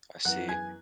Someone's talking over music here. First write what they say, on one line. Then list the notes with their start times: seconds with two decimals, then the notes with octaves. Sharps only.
I see.
0.25 F#2 E3 B3 F#5 F#6
0.49 G#5 G#6